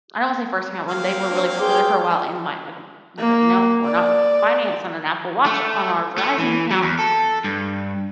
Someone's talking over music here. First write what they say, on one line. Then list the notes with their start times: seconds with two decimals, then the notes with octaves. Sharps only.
I don't wanna say first came out when they were really popular for a while and my like, I was, like, "No, we're not financed on an Apple Watch on our Verizon account,"
0.88 A#3 C4 F5
1.31 D4 C5
1.59 G#4 B4 G5 C6 D6
3.19 A#3
3.86 D5
5.46 A3
6.18 A3
6.38 E3
6.71 F#3
6.82 E2
6.99 A4
7.44 G2